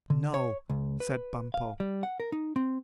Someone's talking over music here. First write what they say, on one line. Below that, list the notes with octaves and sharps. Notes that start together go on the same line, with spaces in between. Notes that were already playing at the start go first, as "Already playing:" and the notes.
"No," said Bumpo.
D3
C#5
C#2
B4
F5
G3
F#5
A#4
D#4
C4